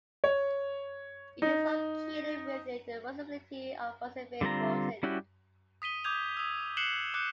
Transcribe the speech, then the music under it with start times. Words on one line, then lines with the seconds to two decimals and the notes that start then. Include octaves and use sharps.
It is located within the Municipality of Boissevain - Morton.
0.24 C#5
1.42 D#4
4.41 D3 G3 C4 F4 A#5
5.03 G3 C#4 E4 F#4 G4
5.82 D#6 B6 D#7 G7
6.04 D6 D#6 G6 G#6 F7
6.37 D#6 E6
6.77 F#6 C7 C#7 E7 F#7 G7
7.14 D6 F#6 G6 C#7